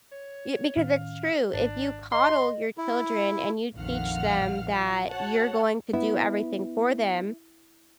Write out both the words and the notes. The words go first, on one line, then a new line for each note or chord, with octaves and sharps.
yeah, because it's true. If you coddle your children and you teach them that you're going to do everything for them,
C#5
A2 D#3 C#4 F5
G#1 D4
D#5 C6
E4
A#1 F2 D#3 F5 F#5 F6
F4
F#4 C#5 F#5 A5
B3 E4